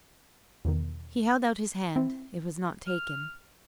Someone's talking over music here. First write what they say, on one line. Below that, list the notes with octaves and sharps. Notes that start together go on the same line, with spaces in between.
He held out his hand; it was not taken.
E2 B2 D#3
C4 E4
F6